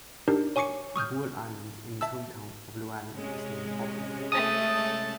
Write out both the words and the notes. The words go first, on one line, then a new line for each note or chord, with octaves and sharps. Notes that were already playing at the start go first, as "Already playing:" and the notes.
Buell Island in his hometown of Lowell is named after him.
D4 D#4 G4 A#4
C#5 G#5 C#6 D6 C7 C#7
C#6 D#6 F6 G6
E5 A5 E6
C3 G#3 C#4
A3 A5 D#6